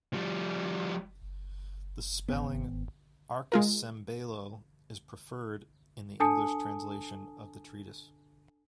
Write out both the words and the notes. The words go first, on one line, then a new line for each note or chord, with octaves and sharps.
The spelling 'archicembalo' is preferred in the English translation of the treatise.
F3 G3
G#1 B3
G#3 F4 A#4
D4 A4 G#5 A5 D#6 C#7